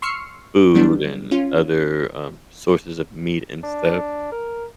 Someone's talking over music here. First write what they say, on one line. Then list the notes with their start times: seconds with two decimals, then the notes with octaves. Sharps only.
food and other, um, sources of meat and stuff.
0.02 C6 C#6 E6 F6 C7 C#7
0.75 F#3 G3 B3 D4
1.31 C#4 F4
3.63 D4
4.32 A#4